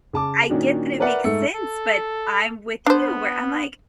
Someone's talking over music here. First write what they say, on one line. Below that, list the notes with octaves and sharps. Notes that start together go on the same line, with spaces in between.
I get that it makes sense, but I'm with you, where I'm like,
C#3 A5 D6
A#2 D#3 C#4 D4 F#4
A#4 B4 D5 E5 F#5 A#5
G#2 A3 E6 C#7
A4
B3 D4 C5